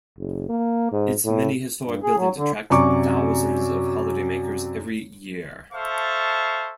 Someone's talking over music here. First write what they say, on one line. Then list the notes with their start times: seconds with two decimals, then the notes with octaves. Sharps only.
Its many historic buildings attract thousands of holidaymakers every year.
0.18 F#1
0.49 A#3
0.92 G#2
1.24 A2
1.83 G2
2.03 G#4
2.16 F#3
2.37 D3
2.70 F#2 C3 F#3 D5 C#6 D6
5.73 A4 C5 E5 F5 A5 C#6